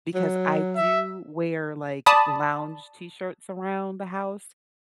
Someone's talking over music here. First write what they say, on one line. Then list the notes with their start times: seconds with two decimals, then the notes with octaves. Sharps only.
because I do wear, like, lounge t-shirts around the house,
0.14 F#3
0.76 E5
2.06 D5 A5 B5 D#6